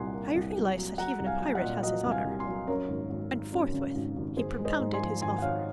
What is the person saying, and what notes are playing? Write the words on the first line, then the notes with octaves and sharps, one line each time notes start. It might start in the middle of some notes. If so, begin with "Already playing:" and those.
"I realize that even a pirate has his honour." And forthwith he propounded his offer.
Already playing: C2 A#2 F#5 G#5 C6
A#3
C2
F#3
F#3
F#3 F#5 A#5
C2
F5 G#5
F#3
D#5 F#5
A#2
F#3 D#5 F#5
C2
F5 G#5
C2
G#5 C6
F#3
F#2 A#4 C#5
G#1
G#1
G#1
F#2
C#3
G#1
G#1
G#1 G#4 C5
G#3
C5 D#5
G#2
G#5 C6
F3
G#1 G#5 C6
F#5
G#1 C#5 F5